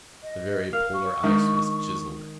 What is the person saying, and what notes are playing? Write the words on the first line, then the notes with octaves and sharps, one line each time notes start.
The very Polar ice was chiseled.
D#5
A#4 F5
C#6
D#3 G#3 D4